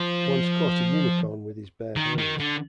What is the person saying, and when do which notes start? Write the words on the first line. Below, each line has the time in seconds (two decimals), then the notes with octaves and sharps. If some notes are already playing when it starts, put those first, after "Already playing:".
Once caught a Unicorn with his bare hands.
Already playing: F3
1.96 D#3
2.18 D#3
2.40 D3